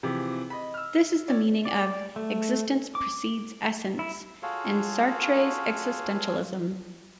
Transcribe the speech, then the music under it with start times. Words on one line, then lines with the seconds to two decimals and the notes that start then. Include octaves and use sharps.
This is the meaning of "existence precedes essence" in Sartre's existentialism.
0.03 C3 E3 F3 G4 G#4
0.50 D#5 B5
0.74 E6 F6
1.28 C#5 D5
1.65 D5
2.16 A3
2.95 D6
3.99 E4
4.43 F4 F#4 G#4 A4 C#5 F5